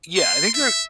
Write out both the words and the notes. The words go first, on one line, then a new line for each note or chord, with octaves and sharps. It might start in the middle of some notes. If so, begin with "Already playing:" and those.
Yeah, I think they're
C6
E5